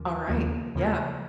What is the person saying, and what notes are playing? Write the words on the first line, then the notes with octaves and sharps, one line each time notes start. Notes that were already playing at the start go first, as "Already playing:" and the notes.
Alright, yeah.
Already playing: D#2 C#3 F3 A#3
D#2 C#3 F3 A#3
D#2 C#3 F3 A#3